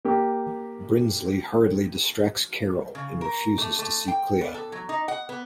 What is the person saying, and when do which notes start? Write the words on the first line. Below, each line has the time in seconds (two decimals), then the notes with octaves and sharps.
Brindsley hurriedly distracts Carol, and refuses to see Clea.
0.05 A#3 G4
2.95 C#3
3.21 A#4
3.58 A3
3.79 A3
4.08 G5
4.41 B3
4.54 A4
4.72 F#3
4.89 D#4
5.08 F#5
5.29 B3